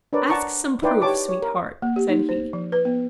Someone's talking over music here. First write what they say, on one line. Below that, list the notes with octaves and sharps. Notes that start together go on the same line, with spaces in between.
'Ask some proof, sweetheart,' said he.
D4 A#4 B4 C#5 D5
F#5 A5 A#5 C#6 D6
D#4 E4 B4 D5 G5 C6
G4 C#5 A5 D6
C#5
A#4
A#3
G4
D#4
C5
F3
B4
B3